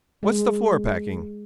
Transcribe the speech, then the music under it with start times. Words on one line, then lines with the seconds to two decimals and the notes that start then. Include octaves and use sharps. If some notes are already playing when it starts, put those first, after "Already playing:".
What's the floor-packing?
0.23 G#3